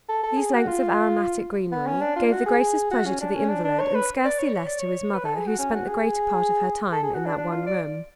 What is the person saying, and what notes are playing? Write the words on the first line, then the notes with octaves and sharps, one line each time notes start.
These lengths of aromatic greenery gave the greatest pleasure to the invalid, and scarcely less to his mother, who spent the greater part of her time in that one room.
A4
A4
G#4
F#4
F4
B3
C#4
D4
F4
F#4
G#4
F#4
C#4
D4
C#4
D4
D4
C#5
B4
D5
C#5
C#5
D5
C#5
B4
A4
G#4
F#4
C#4
F#4
G#4
A4
G#4
F#4
D4
D4
F4
D5